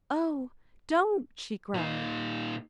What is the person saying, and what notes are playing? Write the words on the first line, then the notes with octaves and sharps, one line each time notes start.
"Oh, don't!" she cried.
A#2 D#4